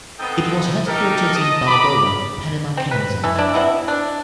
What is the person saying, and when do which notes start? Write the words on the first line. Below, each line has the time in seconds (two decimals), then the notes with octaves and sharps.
It was headquartered in Balboa, Panama Canal Zone.
0.19 B3 C4 D#4 A4 G5 D#6
0.87 D#4 G4 A4 A#4
1.34 D#5 A5
1.66 F#4 A#5 B5 D6
2.77 C4
2.91 B4
3.23 E3 A4
3.35 D4 E4
3.54 C3 B3 E4
3.88 D4